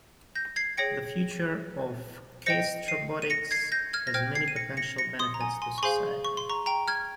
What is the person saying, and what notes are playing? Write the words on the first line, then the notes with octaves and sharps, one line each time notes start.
The future of gastrobotics has many potential benefits to society.
G6 A#6
G#6 C7
G#4 C#5 G5 A#6 C#7
C5 D#5 G5 A#6 C#7
C7 D#7
D#7
A#6 C#7
G#6 C7
G6 A#6
F6 G#6
A#6
C5 G5 F6 G#6
G#6 C7
D#7
A#6 C#7
A#6 C#7
A#6 C#7
C6 D#6
A#5
G#5
G#5 C6
C#6
G#4 C5 F5 G#5 C6
C#6
C6
A#5 C#6
G5 A#5
F6 G#6